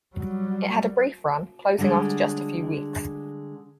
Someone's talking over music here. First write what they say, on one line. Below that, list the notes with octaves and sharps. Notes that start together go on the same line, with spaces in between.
It had a brief run, closing after just a few weeks.
F#3 G3
D3 G3 G#3